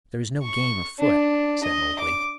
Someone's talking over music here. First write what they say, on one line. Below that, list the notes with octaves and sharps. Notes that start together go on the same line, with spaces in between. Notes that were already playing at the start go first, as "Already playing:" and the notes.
"There is no game afoot," said Mowgli.
C#6
D4
D#5
D6